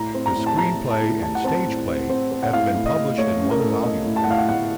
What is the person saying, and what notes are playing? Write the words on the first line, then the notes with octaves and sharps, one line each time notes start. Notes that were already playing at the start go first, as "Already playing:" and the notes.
The screenplay and stage play have been published in one volume.
Already playing: A2 A#5
C4
A#5
A2
A5
A2 A#5
A2
A5
A2
A2 A5
F#5
C4 A5
A2
C4
C4
C4
F#5
A2 F5
A2
D#5
A3
A3 C#5
C#4
A#4
A2 A4
A#4
A3 D#5
A2
A5
F#5
A2 F5
F#5
A2 F#5